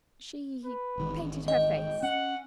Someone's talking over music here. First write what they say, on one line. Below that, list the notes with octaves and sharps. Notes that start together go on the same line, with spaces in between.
"She painted her face."
B4
G#1 D#3 E3
D#5 G5
C#4 F#5